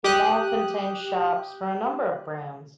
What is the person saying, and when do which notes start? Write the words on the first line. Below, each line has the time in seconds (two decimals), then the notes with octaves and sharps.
The mall contains shops for a number of brands.
0.04 G4 D#6 F#6